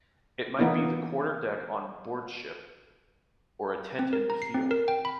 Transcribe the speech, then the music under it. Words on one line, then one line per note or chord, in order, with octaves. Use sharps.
It might be the quarterdeck on board ship or a tent in the field.
E3 A#3 B3 D#4 E4
C4
A#4
A#5
C7
C4
A#4
G5
B5